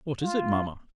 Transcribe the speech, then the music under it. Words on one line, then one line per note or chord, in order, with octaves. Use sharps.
"What is it, mama?"
F4